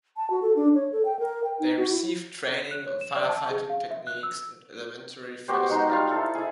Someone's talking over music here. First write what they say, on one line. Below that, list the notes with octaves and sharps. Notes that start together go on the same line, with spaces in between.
They received training on fire fighting techniques and elementary first aid.
A5
F#4
A4
D4
C#5
A4
G5
A#4
G5
D#4
F#4
E4
F#6
C#5
E7
D5
A5
G#4
F5
E5
F#6
E6
B3 F#4 G4 C5
G#3 D#4 C6
G3 F4 F5
E4 A4
E4 G#4